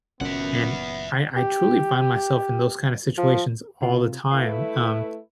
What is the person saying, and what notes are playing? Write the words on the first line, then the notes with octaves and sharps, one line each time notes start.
And I I truly find myself in those kinda situations all the time, um,
F#1 F#2 A#2 D#3 B3 E5 F#5
G4
F3
C3 F4
A3 E4 B4 F5